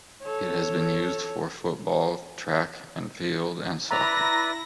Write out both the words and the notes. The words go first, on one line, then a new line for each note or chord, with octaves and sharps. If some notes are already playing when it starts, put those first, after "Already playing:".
It has been used for football, track and field, and soccer.
A4 C#5
E4 B4 D5 E5 A#5 A#6